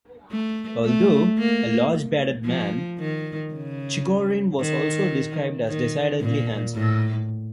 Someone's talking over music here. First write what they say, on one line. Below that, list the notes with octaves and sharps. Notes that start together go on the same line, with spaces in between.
Although a large bearded man, Chigorin was also described as 'decidedly handsome'.
A3
A3
A#3
F3
D#3
C#3
D#3
D#3
A#2
A2